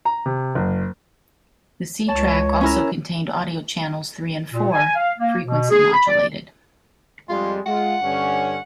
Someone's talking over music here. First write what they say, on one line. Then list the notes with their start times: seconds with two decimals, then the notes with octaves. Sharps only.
The C track also contained audio channels three and four, frequency modulated.
0.05 A#5
0.26 C3
0.55 F#1
2.08 C#2 C#5 A5
2.61 C#4 E4 A#4
4.53 A#2
4.72 G#5
4.95 F5
5.18 A#3
5.46 B2
5.70 G#4
5.93 B5
6.07 D5
7.29 F2 G3 G#3 F4
7.66 G#3 F4 F#5
8.03 G2 D3 C#4